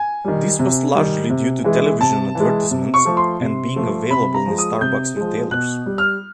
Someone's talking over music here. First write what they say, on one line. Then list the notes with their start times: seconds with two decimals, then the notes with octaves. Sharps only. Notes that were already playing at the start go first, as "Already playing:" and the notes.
This was largely due to television advertisements and being available in Starbucks retailers.
Already playing: G#5
0.24 D#3 G3
0.59 C3
0.95 D#3 G3
1.30 C3
1.64 E3 G#3
2.00 C3 A5
2.35 E3 G#3
2.71 C3
2.94 C#6
3.05 F3 A3
3.17 C6
3.41 C3
3.76 F3 A3
4.11 C3 B5
4.34 A#5
4.46 F3 G#3
4.58 D#6
4.81 C3 G6
5.16 F3 G#3
5.51 B2 F#6
5.86 G3
5.98 F6